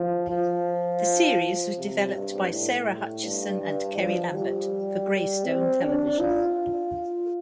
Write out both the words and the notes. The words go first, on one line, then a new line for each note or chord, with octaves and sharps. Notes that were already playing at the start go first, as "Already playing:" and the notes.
The series was developed by Sara Hutchison and Kerry Lambert for Greystone Television.
Already playing: F3
F3
C3
G2
A2
G2
G2
F3
G3
C4
D4
F4